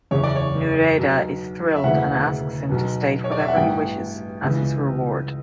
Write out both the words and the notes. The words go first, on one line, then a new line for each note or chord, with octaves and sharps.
Nouredda is thrilled and asks him to state whatever he wishes as his reward.
F#1 E2 C#3 C#5
D5
C#5
B1 B2
E5
E1 D2 C#3 E3 F#5
B1 B2
C#5
D5
E5
F#5
A1 G2 E3 G5
C#2 C#3 E3